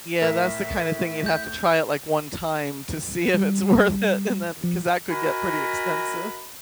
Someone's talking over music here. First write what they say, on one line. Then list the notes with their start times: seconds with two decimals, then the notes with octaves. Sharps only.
Yeah, that's the kinda thing you'd have to try it, like, one time to see if it's worth it, and then 'cause that could get pretty expensive.
0.22 A2 A#4 E5
1.26 G6
3.34 G3
4.64 F3
5.10 F#4 A#4 D#5 G#5 A#5 B5